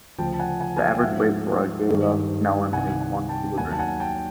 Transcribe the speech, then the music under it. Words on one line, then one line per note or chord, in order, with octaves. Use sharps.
The average weight for a Galia melon is one kilogram.
D2 C#3 F3 G5 A5
A5
F#5 G#5
F#5 G#5
G#5
F5 G5
G#2 F3 E5 F#5
G2 D#3 G3
C2 C3 D#3 F#5 G#5
F#5 G#5
G5 A5
D#2 D#3 F#3 F#5 G#5
A5
F#5 G#5
G5 A5